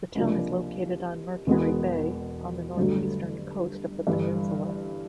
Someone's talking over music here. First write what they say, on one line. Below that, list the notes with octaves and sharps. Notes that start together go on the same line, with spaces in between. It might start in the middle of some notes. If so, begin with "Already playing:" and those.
The town is located on Mercury Bay, on the northeastern coast of the peninsula.
C#2 C3 F3 A#3 D4
E1 E2 B2 G#3 B3
G1 G2 D3 F#3 A3
G1 G2 E3